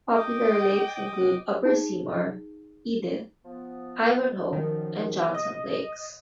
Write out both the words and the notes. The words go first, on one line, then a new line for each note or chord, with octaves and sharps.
Popular lakes include Upper Seymour, Edith, Ivanhoe and Johnson Lakes.
D#5 G5 D6 D#6
D#4 G#4
F3 B3
F#2 D#3 F3
D#5 D#6